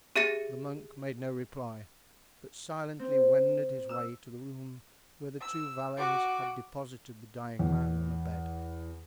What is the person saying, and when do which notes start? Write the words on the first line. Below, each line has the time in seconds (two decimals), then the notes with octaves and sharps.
The monk made no reply, but silently wended his way to the room where the two valets had deposited the dying man on a bed.
0.16 G4 G#4 E5 A6 A#6 C#7
2.99 C4
3.89 E6
5.41 E6
5.97 F#4 D6
7.59 E2